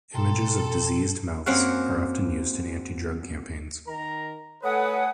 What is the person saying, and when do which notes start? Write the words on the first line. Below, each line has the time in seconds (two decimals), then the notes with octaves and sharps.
Images of diseased mouths are often used in anti-drug campaigns.
0.14 B2 A4 G5 A#5 C6
1.46 F#2 A#3 C4 A#4 C#5 F#5
3.86 D#3 A#4 A#5
4.63 A3 A4 B4 C#5 F#5 G#5 D#6